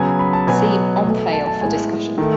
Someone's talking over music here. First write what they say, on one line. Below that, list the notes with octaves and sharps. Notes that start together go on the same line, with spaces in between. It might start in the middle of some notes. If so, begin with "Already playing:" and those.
See Omphale for discussion.
Already playing: C#3 F#3 B3 G#5
B5
A5
B2 F#3 B3 G#5
B2 A3
A5
A5
A2 G#3 B3 G#5
D#3 A3